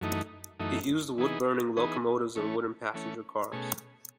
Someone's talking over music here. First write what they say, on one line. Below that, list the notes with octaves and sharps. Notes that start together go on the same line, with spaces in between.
It used wood-burning locomotives and wooden passenger cars.
F#2 E3 A3 D#4
F#2 E3 A3 D#4
E3 B3 D#4 G#4
E3 B3 D#4 G#4
E3 A3 C#4
E3 A3 C#4
B2 A3 C#4 G#4